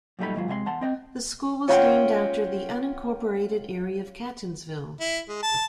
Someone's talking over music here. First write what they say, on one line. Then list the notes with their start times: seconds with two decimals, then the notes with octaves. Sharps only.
The school was named after the unincorporated area of Catonsville.
0.19 F#2 A#2 G3 A3 D#4 B5
0.34 D#2 G#2 F#3 F4
0.48 C3 G#3 E5 C6
0.66 E2 F#5 A5 C6
0.81 C4 D#5 G5
1.68 C#4 F4 C#5 F#5 G5
5.01 E4
5.29 G#3
5.43 A5